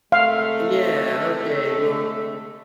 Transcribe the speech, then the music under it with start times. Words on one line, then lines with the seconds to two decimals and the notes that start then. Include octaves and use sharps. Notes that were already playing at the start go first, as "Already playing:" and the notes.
yeah, okay, well,
0.12 C3 G#3 A3 F5